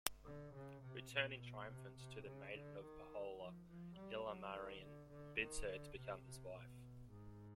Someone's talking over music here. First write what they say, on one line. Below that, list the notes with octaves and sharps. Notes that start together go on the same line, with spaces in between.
Returning triumphant to the Maiden of Pohjola, Ilmarinen bids her to become his wife.
D3
C#3
C3
B2
B2
C3
C3
C#3
D3
D#3
F3
F3
G3
F#3
D#3
D3
D3
D#3
D3
C3
C3
B2
G#2